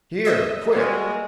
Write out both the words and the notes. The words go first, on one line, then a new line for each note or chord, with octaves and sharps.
"Here, quick!"
D#5 E5
G3 G#3 A#3 F#4